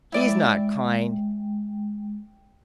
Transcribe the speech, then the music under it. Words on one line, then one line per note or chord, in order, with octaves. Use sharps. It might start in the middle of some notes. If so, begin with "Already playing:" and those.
He's not kind.
G#3 E4 D5 E5 G5